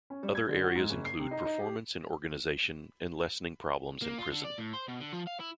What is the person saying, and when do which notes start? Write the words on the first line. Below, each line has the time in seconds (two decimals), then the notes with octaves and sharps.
Other areas include performance in organization and lessening problems in prison.
0.10 C#4
0.23 G3
0.35 G#6
0.49 D3
0.64 F#4
0.75 G#2
0.89 F#1
1.05 C7
1.19 C3
1.31 D#4
1.45 D#4
1.59 G4
4.02 A#3
4.18 F4
4.32 D3
4.44 D5
4.58 A2
4.74 C5
4.89 B2
5.01 D3
5.13 F3
5.27 F5
5.40 E4